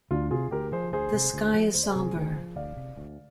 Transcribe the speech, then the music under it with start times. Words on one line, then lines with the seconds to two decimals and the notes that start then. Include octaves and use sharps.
The sky is somber.
0.11 D2 D4 F4
0.31 C3 F4 G#4
0.51 D2 G4 A#4
0.72 F3 G#4 C5
0.93 D2 G#4 C5
1.13 C3
1.34 D2
1.54 F3
1.74 D2 C5
1.83 D5
1.90 G#4 C5
1.95 C3
2.16 D2
2.36 F3
2.56 D2 D5 F5
2.77 C3
2.97 D2